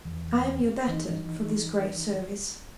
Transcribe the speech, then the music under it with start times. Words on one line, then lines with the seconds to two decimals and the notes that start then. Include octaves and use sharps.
'I am your debtor for this great service.'
0.05 E2
0.88 E3 D#4